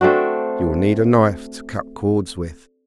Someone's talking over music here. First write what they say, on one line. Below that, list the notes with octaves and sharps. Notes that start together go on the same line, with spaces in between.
You will need a knife to cut cords with.
A3 C4 D4 F#4